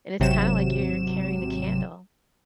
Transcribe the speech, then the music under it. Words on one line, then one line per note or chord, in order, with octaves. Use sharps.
and it's kinda, like, you're carrying the candle,
G#1 C3 F#3 E7